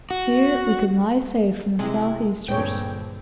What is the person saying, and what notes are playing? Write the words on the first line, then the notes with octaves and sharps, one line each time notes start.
Here we could lie safe from the south-easters.
F#4
C3 G#3 E4
G2 A#2 D3 C4 G#4 C#5 G5